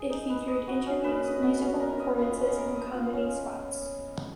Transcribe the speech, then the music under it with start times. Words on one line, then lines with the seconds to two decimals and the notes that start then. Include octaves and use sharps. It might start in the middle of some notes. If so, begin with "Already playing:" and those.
It featured interviews, musical performances and comedy spots.
Already playing: G#4 D#5
0.10 D#4
0.29 B4
0.48 D#5
0.67 F#4
0.86 C#4
1.04 A#3 B4
1.24 D#5
1.42 B3 F#4
1.61 C#4
1.80 B3 A#4
2.00 D#5
2.18 B3 F4
2.37 C#4
2.46 B3
2.57 A#3 A#4
2.75 D#5
2.94 F4
3.13 C#4